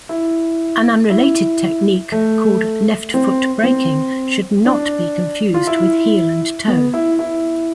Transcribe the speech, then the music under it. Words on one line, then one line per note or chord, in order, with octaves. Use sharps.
An unrelated technique called left-foot braking should not be confused with heel-and-toe.
E4
E4
A3
C4
C4
D4
F4
E4
B3
E4
E4